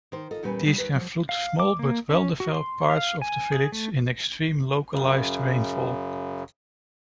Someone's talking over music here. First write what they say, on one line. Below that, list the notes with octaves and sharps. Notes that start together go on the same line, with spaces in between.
These can flood small but well-developed parts of the village in extreme localised rainfall.
D#3 C5
F4 A4 D#5
E2 A#2 G3 C#4 B4 G#5
C#3 G3 D4
D#2 B4
F3 F#3
F5
D6
A#3
C#4
F#4
C6
F5
G#5
G#4
A3
F#2 C#3